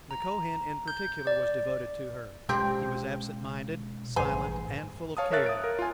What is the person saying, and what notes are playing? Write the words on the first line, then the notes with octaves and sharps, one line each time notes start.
The Kohen in particular was devoted to her. He was absent-minded, silent, and full of care.
A#5
G6
D5
B2 F3 G#3 C4 C#4 G4
A1 G2 G#4 C5 G#5
C#5 F5 A5 D#6
A#4 C#5 E5 F#6 A6
D#6 D7
A#4
F4 G#5